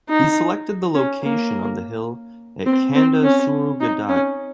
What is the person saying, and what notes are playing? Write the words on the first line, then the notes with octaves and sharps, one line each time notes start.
He selected the location on the hill at Kanda Surugadai.
D#4
C#4
A#3
C4
C4
C#4
D#4
C#4